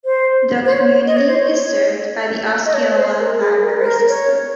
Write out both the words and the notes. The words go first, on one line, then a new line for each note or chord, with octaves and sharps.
The community is served by the Osceola Library System.
C5
C5
C#5
D#5
C#5
C5
C#5
D#5
C#5
C5
A#4
G#4
A#4
C5
A#4
C#5